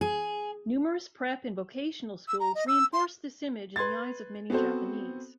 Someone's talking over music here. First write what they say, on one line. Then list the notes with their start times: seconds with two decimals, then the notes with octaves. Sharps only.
Numerous prep and vocational schools reinforce this image in the eyes of many Japanese.
0.01 G#4
2.28 E6
2.40 A#5
2.55 D#5
2.67 E6
2.93 C6
3.76 B4 C6 G#6 A6
4.50 B3 C4 F#4 A4 C5